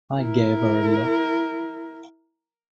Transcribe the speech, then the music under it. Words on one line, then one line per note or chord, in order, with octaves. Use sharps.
I gave her a look.
E4 A#4